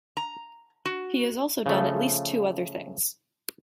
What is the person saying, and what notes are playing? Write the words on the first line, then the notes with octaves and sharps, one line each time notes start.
He has also done at least two other things.
A#5
F#4
C#3 F3 A3